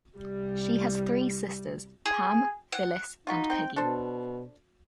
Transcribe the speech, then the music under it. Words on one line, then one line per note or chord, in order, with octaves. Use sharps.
She has three sisters: Pam, Phyllis, and Peggy.
C2 G3
G#4
F#5
D#4 F4 F#4 B5
C4 G5
B2 D4 A4 C5